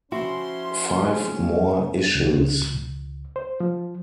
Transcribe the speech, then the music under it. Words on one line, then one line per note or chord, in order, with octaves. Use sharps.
Five more issues!
F3 C#4 E4 F#4 C6
C#2
C5
F3